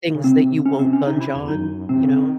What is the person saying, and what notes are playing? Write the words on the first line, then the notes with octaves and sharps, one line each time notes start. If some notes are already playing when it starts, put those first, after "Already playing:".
things that you won't budge on, you know?
C#3
C3 C4
C3 C#4
C4
C#4
D#4
E4
E2 E4
F#2 D#4
C3 C4
C#3
D#3